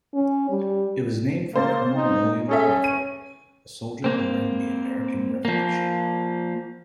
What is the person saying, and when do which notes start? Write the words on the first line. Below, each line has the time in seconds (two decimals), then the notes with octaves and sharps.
It was named for Colonel William Crawford, a soldier during the American Revolution.
0.14 C#4
0.50 G3
1.54 C#3 A#3 C5 A6
1.95 D#4
2.49 C#4 G#4 A4 E5
2.84 D#7
4.04 A#3 C4
5.45 F3 A#3